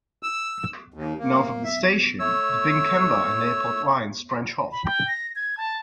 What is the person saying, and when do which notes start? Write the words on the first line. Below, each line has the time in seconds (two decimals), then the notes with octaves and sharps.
North of the station, the Pinkenba and Airport lines branch off.
0.23 E6
0.94 D#2
1.19 A#3
1.64 E5
2.19 A3 C#5 E6
4.71 B5
4.85 G5
5.08 A#6
5.36 G#6
5.57 A5